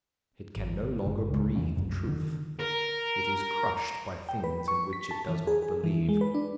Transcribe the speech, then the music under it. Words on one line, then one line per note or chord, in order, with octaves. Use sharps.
It can no longer breathe Truth; it is crushed by things in which it does not believe.
G#1
G1 D3
C#2 G#3
E2 C3 E3 C#4
F1 C2 F#2 C3
D3 D#3
A#4
G5
B4
C#6
B6
A5
E3
G#4
G#4
E3
G#3
B4
D4